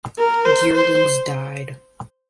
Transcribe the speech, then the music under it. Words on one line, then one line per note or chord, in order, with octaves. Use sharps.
Geerlings died.
A#4
C5
C5